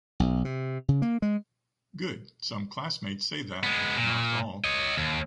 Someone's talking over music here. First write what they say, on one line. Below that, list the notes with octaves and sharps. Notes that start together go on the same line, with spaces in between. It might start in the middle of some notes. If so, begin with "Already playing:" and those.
Good, some classmates say that, not all.
B1
C3
C#3
A#3
G#3
G#3 B3
A#2
C#5 D#5
D#2